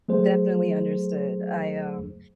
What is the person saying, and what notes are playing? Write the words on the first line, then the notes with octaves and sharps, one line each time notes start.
Definitely understood. I, um,
F#3 A3 G#4 C5